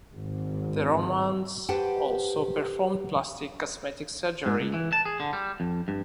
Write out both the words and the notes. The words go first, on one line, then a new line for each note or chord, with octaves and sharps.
The Romans also performed plastic cosmetic surgery.
G#1
G4 B4 C5 F#5 G5 A5
G#2
C#2
E3
A5
G#4
D3
G3
F2
G2